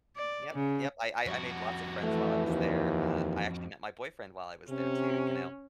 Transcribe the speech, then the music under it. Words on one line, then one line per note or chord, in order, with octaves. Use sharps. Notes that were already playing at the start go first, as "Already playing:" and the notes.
Yep, yep, I I I made lots of friends while I was there. Uh, I actually met my boyfriend while I was there too, you know,
D5
C#3
F2 F#4
E3 A3
D#2
C3 C#4